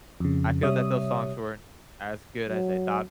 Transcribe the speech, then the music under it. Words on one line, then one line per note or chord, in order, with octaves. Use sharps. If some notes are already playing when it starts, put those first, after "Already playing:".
I feel that those songs weren't as good as I thought
F2 C#3
C3 G3 C#5 E5 D#6
F#3